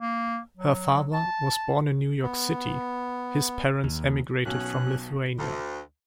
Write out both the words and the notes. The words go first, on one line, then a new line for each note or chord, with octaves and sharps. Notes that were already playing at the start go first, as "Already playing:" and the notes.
Her father was born in New York City; his parents emigrated from Lithuania.
A#3
F#3
A5
B3
D#2
B1 B2 C#4 F#6
D2